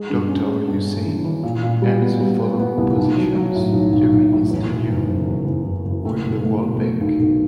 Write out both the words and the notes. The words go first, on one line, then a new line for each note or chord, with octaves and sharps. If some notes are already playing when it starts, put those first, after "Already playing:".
Doctor Husain held the following positions during his tenure with the World Bank.
Already playing: G#3
G2
C#4
G#3
G2
G2
E3
E3
A#2
A#2
G3
B3
G3
B3
B3
C2
B1
F#3
F#3
A2
B1
B1
B1
A2
E2
B2
F#1
F#1
E2
F#1
F#1
F#1
A3
B2
A3
B2
A3
B1
B1